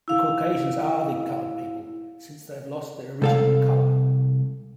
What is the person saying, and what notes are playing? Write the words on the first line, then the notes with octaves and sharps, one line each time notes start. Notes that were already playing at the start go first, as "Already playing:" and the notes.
The Caucasians are the colored people, since they have lost their original color.
E4 F5
C2 A4 F5